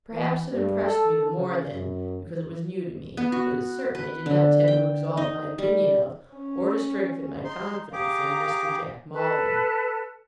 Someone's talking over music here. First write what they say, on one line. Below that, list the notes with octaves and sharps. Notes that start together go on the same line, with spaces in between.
Perhaps it impressed me the more then, because it was new to me, but it certainly did not tend to exalt my opinion of, or to strengthen my confidence in, Mr. Jack Maldon.
E3
G2
A4
C#3
F#2
B3
F#4
B4
D3
G5
D#4
G3
C#4
D#4 C6
G4 G#4 F5 A#5 D6
A4 B4 A5